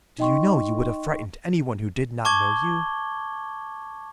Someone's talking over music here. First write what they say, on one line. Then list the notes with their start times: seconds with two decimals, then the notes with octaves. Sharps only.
Do you know, you would have frightened any one who did not know you?
0.18 D#4 D#5 G5 C6 C#6
2.25 A5 C#6 D6 G#6 G7